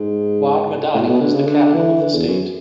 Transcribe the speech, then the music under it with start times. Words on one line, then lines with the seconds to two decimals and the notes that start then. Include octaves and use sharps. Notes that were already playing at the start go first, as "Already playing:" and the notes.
Wad Madani is the capital of the state.
Already playing: G#2
0.94 A2
1.08 B2
1.21 D3
1.35 C#3
1.47 D3
1.74 E3
2.01 D3
2.15 E2
2.28 F#2